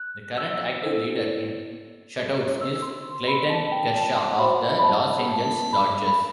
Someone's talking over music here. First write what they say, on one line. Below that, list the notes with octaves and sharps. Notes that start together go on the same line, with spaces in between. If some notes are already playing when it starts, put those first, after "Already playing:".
The current active leader in shutouts is Clayton Kershaw of the Los Angeles Dodgers.
Already playing: F#6
E6
E4 A4 C5 E6
F#4 C5 E6
C6
C6
B5
A5
G5
A5
C6
F#4 C5 B5
B5
A5
A5
B5
B5